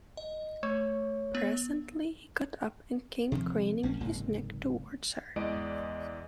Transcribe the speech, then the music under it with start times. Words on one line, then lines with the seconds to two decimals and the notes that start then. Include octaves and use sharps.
Presently he got up and came craning his neck towards her.
0.17 D#5
0.63 A3 C#5
1.35 B3
3.32 C3 F3
3.83 A#1 A#3 C#4
4.00 F#1 G#2 C3 A#3
5.36 E2 E3 G#3 D5 D#5 D7